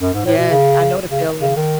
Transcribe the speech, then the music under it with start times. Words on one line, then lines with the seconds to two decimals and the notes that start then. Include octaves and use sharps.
Yes. I know the feeling.
0.01 F#2
0.14 G#2
0.26 A2
0.38 B2
0.50 C#3
1.11 C#3
1.41 C#3
1.57 D#3